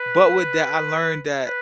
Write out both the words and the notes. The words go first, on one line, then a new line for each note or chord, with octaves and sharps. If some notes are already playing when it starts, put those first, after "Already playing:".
But with that, I learned that
Already playing: B4
B4